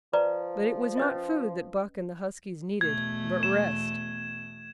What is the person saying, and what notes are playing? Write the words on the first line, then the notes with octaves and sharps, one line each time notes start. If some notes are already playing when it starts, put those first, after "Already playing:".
But it was not food that Buck and the huskies needed, but rest.
F3 B4 D5 A#5
C#4 B4 D#5
E2 B2 A3 G#6
E7